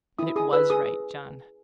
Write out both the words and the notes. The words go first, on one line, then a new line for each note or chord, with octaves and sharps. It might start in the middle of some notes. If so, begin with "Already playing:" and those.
And it WAS right, John!
E4 D#6
G#4 D#6
B4 E6
G#4 D#6